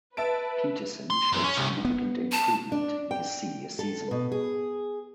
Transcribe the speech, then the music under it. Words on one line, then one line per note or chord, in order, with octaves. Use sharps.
Peterson showed significant improvement in his senior season.
B4 E5 A5 D7
C6
F#2
C#4
C2
B3
A5
D4
G5
A4
B2
G#4